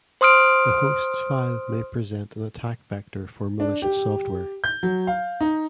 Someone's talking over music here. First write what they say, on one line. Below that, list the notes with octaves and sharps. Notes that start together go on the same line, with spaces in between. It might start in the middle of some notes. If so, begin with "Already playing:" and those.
The hosts file may present an attack vector for malicious software.
C5 C6 D#6 F6 D7
D4
G4
G6
F#3
F5
D#4